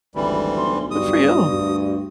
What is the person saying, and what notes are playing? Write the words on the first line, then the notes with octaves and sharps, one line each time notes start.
Good for you.
G#1 D2 E3 G3 B5
B1 C6
G2 F#4 D#6
D2